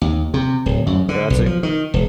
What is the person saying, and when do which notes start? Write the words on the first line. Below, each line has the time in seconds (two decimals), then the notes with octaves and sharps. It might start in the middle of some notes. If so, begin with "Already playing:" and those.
um, yeah, that's it
0.01 D#2
0.34 C3
0.66 D1
0.87 F#2
1.09 D3
1.30 B1
1.46 F3
1.63 D#3
1.94 E1